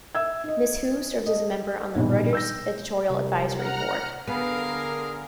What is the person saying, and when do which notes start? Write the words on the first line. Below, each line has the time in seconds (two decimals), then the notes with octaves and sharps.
Ms Hu serves as a member on the Reuters Editorial Advisory Board.
0.15 E5 E6 G#6
0.44 D#4 D#5
1.26 A4 D#5
1.95 A#1 G#2 B2 D3 D#3 G3
2.33 E6 G6 A#6
3.10 C2
3.54 F#5 A#5 F6
4.27 D3 B3 G#4 A#4 F5